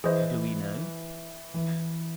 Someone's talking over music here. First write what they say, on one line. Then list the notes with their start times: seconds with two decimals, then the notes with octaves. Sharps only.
Do We Know!?
0.04 E3 G#4 C5 D#5
1.54 E3